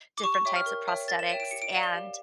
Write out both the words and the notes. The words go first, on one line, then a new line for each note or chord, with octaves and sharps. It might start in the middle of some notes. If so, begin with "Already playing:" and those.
different types of prosthetics and,
D6
G4 C#6
C#6
C#5 E5 G5 D6
F6
A#4
C#5 E5 G5
A#4 A6
E7
C#5 E5 G5 E7
D7
G4 C#7
D7
D5 F5 F7
G7
G4